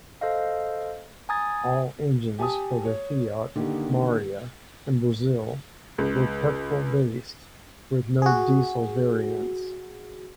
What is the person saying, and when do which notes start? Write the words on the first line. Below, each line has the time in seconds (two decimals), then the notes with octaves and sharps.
All engines for the Fiat Marea in Brazil were petrol-based, with no diesel variants.
0.21 A4 C5 D#5 F5
1.29 G#5 A#5 D#6 G#6 A6
2.39 G4 G#5 A5 D#6
2.85 C#5
3.55 D3 D#3 A#3 G4
5.98 C#2
8.22 F#4 G#4